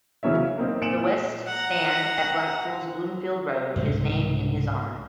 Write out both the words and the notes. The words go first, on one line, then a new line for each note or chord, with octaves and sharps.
The West Stand at Blackpool's Bloomfield Road is named in his honour.
C#3 E3 F#3 C#4 E5
F5
A#3 C4 D#4
A#2 C#7 D7 E7 F#7
F#5 A#5
C2 G#2 C#3 G#3